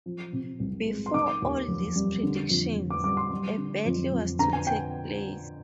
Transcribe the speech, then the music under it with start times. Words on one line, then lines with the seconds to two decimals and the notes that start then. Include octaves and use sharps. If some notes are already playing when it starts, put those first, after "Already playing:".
Before all these predictions, a battle was to take place.
0.06 F3
0.33 C3
0.60 C2
0.87 G#3
1.06 C6
1.14 D#3 D6
1.42 D#2
1.68 F1
1.96 G3
2.23 D3
2.50 F2
2.77 F1
2.90 D6
3.04 G3 D6
3.17 C6
3.31 G3
3.58 D3
3.85 F2
4.12 F2
4.39 D3 A#5
4.53 G#5
4.67 G5